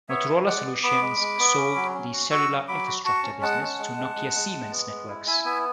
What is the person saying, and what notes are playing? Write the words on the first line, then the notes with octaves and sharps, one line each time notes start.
Motorola Solutions sold the cellular infrastructure business to Nokia Siemens Networks.
B3 C#5 E5
E4
G#3 D5 F#5
B3
B3 B5 D6
G#3
G#3
B3
C#4
F#3
C#4
F#4
F#4 C#6 E6
F#3
F#3 B5 D6
F#4
F#4 A5 C#6
C#4
G#3 F#5 A5
C#4
G#3
G#3
G#3
G#3
G#3
B3
G#3
E4
E4 E5 G#5
B3 E5 G#5